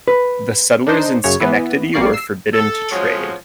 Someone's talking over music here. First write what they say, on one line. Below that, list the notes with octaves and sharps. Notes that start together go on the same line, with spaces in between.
The settlers in Schenectady were forbidden to trade.
B4
D4 D#4 C5
F#2 C#3 C#5
E3 B3
A#1 G3 A#3 D5 C#6 C7
E6 C7
A4
F3 F#3 G#3 C#4 F#4 C#5